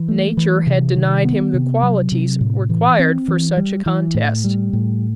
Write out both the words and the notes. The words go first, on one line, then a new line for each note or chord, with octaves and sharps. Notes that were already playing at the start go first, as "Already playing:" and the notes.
Nature had denied him the qualities required for such a contest.
Already playing: E3
A3
E3
C3
D#3
B3
C3
F#3
C3
A2
E3
C4
E3
G3
E3
A2
G3
A2